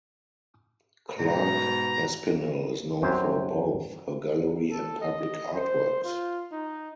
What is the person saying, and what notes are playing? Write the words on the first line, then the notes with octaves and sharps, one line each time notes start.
Clark Espinal is known for both her gallery and public artworks.
G#2 B2 A#5
C2 F#2 C4 B4 C5 G#5
A4
D#5
C5
F4
D#4